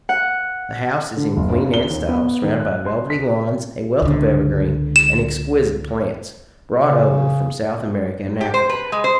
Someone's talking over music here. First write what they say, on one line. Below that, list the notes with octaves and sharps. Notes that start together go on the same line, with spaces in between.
The house is in Queen Anne style, surrounded by velvety lawns, a wealth of evergreen and exquisite plants, brought over from South America and Africa.
F#5
D3
F#1
G1
G7
D#2
B3
D#3
F#6
C6
B6
C#2 D3
E7
C#3
G4
C5
B4
G#3
C5